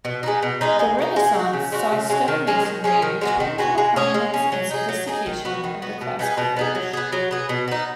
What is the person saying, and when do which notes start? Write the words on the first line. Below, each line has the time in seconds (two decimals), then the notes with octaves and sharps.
The Renaissance saw stonemasonry return to the prominence and sophistication of the Classical age.
0.05 B2
0.23 G#3 B3 D#4
0.42 B2
0.61 G#3 B3 D#4
0.79 G#3
0.99 D#4 F#4
1.16 G#3
1.35 D#4 F#4
1.53 C#3
1.72 G#3 C#4 F#4
1.91 C#3
2.10 G#3 C#4 F#4
2.28 D#3
2.47 G#3 C#4 G#4
2.65 D#3
2.84 G#3 C#4 G#4
3.02 D#3
3.21 G#3 B3 F#4
3.40 D#3
3.58 G#3 B3 F#4
3.78 G#3
3.96 C#4 G#4
4.14 G#3
4.34 C#4 G#4
4.52 F#3
4.71 D#4 G#4
4.89 F#3
5.07 D#4 G#4
5.26 D#3
5.45 B3 F#4
5.64 D#3
5.82 B3 F#4
6.01 B2
6.19 B3 D#4 G#4
6.38 B2
6.57 B3 D#4 G#4
6.75 F#3
6.93 B3 G#4
7.12 F#3
7.31 B3 G#4
7.49 B2
7.68 B3 D#4